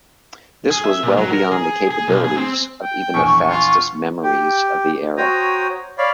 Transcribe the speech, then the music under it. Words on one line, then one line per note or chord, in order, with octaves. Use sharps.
This was well beyond the capabilities of even the fastest memories of the era.
G#4
E5
A#2
F#3
A#4
G#4
G#4
B1
G#4
C4
G5
A#1 E2 C#6
F4
G4
F#4 C5 C#5 G5 A#5 D#6
C#5 D5 F5 B5